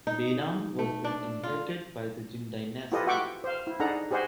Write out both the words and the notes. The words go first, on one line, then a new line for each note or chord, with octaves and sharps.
Lelang was then inherited by the Jin dynasty.
D#4
A3
D4
F4
E4 F4 G4 A4 B4 D#5
F#4 E5 F#5 G5 C#6 D6
C5 F5
E4
D4 D#4 G#4 A4 F#5 A#5
G4 G#4 C5 D#5 F#5 G#5